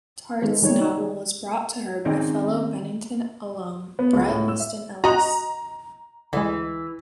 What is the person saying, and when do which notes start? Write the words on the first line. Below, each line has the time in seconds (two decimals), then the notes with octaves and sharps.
Tartt's novel was brought to her by fellow Bennington alum Bret Easton Ellis.
0.42 D#3 G#3 A4 C5
0.62 D#3 G3 D#4 C#5
0.81 D#4
0.98 G#4
2.05 D#3 C4 C#4 D#4 G#4 D5
3.99 B3
4.13 C#2
4.29 A2
4.48 E6
4.60 E5
5.04 F#4 D#5 A#5
6.33 D2 E3 G#3